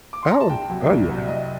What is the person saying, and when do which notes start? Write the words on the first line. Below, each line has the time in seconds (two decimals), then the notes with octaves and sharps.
Oh, oh, yeah.
0.13 D6
0.23 C6
0.31 A#5
0.41 A5
0.50 C2 G5
0.70 C3 F#3
0.90 C2
1.09 C3 F#3
1.28 C2 D#5